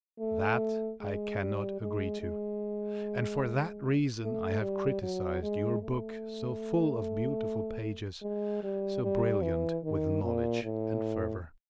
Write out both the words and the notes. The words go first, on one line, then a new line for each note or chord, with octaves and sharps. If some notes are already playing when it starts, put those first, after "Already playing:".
That I cannot agree to; and for that reason I have criticised your book, so full of beautiful pages, so brilliant with knowledge and fervor!
A3
G#3
G3
G#3
G#3
A3
G3
F#3
G#3
A3
G#3
G3
G3
E3
D#3
A#2
A2